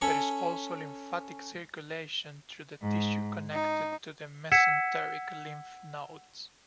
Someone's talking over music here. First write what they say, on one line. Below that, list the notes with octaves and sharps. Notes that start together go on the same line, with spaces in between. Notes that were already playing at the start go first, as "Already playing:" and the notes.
There is also lymphatic circulation through the tissue connected to the mesenteric lymph nodes.
C#4 A4 C#5 B5 C#6
G#2
D#4
F#5 E6 G#6 B6 C#7 E7